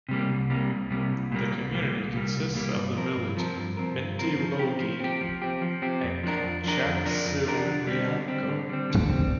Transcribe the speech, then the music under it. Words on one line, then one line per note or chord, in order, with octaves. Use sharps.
The community consists of the villages Mintilogli and Chantziliako.
C3 G3 A#3
C2
C3 G3 A#3
C2
C3 G3 A#3
C2
A#2 G3 A#3
C2
A#2 G3 A#3
C2
A#2 G3 A#3
C2
A#2 G3 A#3
G2
F3 C4 A#4
G2
F3 C4 A#4
G2
F3 C4 A#4
G2
F3 C4 A#4
F3
C4 G4
F3
C4 G4
F3
C4 G4
F3
C4 G4
F2
F3 D4 A#4
F2
F3 D4 A#4
F2
F3 D4 A#4
F2
F3 D4 A#4
D3
G3 C4
D3
G3 C4
D3
G3 C4
D3
G3 C4